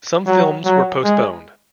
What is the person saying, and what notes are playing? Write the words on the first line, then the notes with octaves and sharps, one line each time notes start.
Some films were postponed.
F#3
F#3
G#3